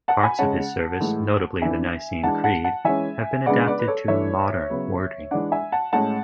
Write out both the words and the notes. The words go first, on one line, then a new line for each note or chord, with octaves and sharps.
Parts of his service, notably the Nicene Creed, have been adapted to "modern" wording.
F#5 A5
G#5 B5
C#3 G#3 C#4 F#5 A5
A2 E3 G#3
E3 B3 D4 E5 G#5
E3 G#3 D4 F#5 A5
F#5 A5
F#5 A5
E3 G#3 C#4 E5 G#5
C#3 G#3 B3 D4 D5 F#5
B4 D5
B4
A4 C#5
E3 A3 D4 C#5 E5
C#3 F#3 B3
E3 G#3 D4 D5 F#5
E5 G#5
F#5 A5
A2 G#3 C#4 F#5 A5